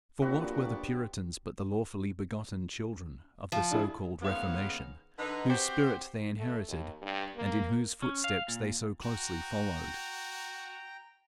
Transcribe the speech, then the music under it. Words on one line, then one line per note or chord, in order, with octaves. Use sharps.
For what were the puritans but the lawfully-begotten children of the so called reformation, whose spirit they inherited, and in whose footsteps they so closely followed?
A#2 F#3 B3 C4 D4 F#4 G4 B4
F3
D4 E4 G#4
D#2 G#2 C#3 G#3 B3 F5
D3 D#4 B4
C4 F#4 G4 C5
A3
D#2
G2
A#3
C#4
F5
A#2
F#4 G5 A#5